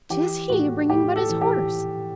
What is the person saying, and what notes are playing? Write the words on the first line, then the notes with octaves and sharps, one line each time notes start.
'Tis he bringing but his horse!
E3 G4
A2 F#4
A2 G4
A4
E3
G4